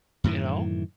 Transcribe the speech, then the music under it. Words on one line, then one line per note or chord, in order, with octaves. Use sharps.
you know?
F#2 A2 D#3 E3